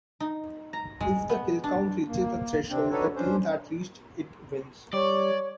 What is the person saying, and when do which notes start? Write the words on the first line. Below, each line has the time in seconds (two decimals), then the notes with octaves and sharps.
If the killcount reaches a threshold, the team that reached it wins.
0.20 D#4
0.73 A#5
1.01 G#3
1.29 B3
1.64 D4
2.06 A#3
2.70 C3 C4 D4
2.91 D4 D#4 F#4 A4 B4 C#5
3.16 C#4 D4 C5
4.93 G3 C#5 D5